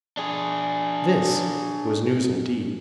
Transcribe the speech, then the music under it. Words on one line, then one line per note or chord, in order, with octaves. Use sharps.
This was news indeed.
D4 G#4